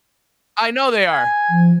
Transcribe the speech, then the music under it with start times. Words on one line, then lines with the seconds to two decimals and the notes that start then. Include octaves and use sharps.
I know they are.
1.12 G#5
1.50 F3